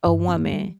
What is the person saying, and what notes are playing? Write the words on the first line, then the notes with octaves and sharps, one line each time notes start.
a woman
G2
C4
A#3
G#3
G3